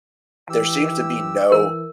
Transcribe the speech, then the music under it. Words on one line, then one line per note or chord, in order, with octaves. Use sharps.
there seems to be no
E3 G4 E6
E3 A#4